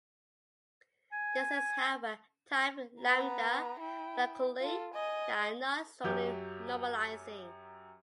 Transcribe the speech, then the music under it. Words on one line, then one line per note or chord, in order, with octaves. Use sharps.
There exist, however, typed lambda calculi that are not strongly normalizing.
G#5
B3 A#5
E4 G5
F4 A4
D#5 G#5
F#2 F#3 G4 G6